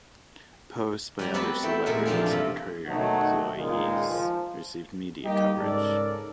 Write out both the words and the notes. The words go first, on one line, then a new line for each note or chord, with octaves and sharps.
Posts by other celebrities and courier employees received media coverage.
G3 D5 A#5
B3 C4 F#4 B4 A5 B5
A3 E4 G5
A#2 G#3 A3 G#4 A#4
E2 F3 D4 C5 F5 G5
C3 G3 F4
B2 D#3 F#3 A3 D#4 F#4
C#2 A#2 D#3 G#3 D#4 F4
F3
G3 A#3 D#4 G4 D#5
G#2 C#3 A4 A#4 D5